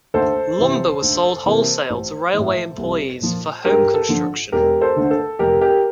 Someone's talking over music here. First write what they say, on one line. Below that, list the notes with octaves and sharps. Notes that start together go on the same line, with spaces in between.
Lumber was sold wholesale to railway employees, for home construction.
D2 A4 C5
C3 E3
D2
C3 E3 A#3
A1
A2 E3
C2
A#2 F3
G2 G4 A#4
A4
D3 F3
E1 G4 A#4
A4 C5
D2 D3
A4
F1 G4 A#4
G4 A#4